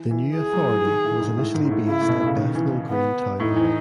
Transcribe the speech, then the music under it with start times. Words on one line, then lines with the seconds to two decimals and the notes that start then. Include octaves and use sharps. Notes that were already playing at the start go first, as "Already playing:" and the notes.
The new authority was initially based at Bethnal Green Town Hall.
Already playing: E3
0.11 E3
0.36 E3 G#4
0.53 F#3
0.70 E3
0.86 D#3
1.04 A2
1.20 G#2
1.37 A2
1.54 G#2
1.65 G#2
1.71 A2
1.88 C#3 E4
2.01 A2
2.08 B2
2.14 A2
2.26 C#3
2.39 D#3
2.55 E3
2.90 B3
3.40 A2 D#4
3.56 E3